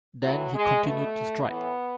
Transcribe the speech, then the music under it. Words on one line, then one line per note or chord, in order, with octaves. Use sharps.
Then he continued to strike.
A2 E3 F#3
G#3
B2 A3
A2 E3 B3